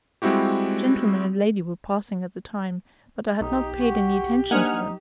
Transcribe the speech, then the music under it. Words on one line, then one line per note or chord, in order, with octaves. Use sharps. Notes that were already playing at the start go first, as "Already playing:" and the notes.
A gentleman and lady were passing at the time, but I had not paid any attention to them.
G3 G#3 C4 E4 F#4 G4
B1 D#4 G4
F#4
A#3 D4 D#4 C5 F#5 G#5 F6